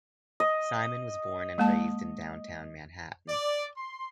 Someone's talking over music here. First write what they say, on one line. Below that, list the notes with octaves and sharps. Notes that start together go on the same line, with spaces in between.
Simon was born and raised in Downtown Manhattan.
D#5
G#3 A#3 A5
D5
C6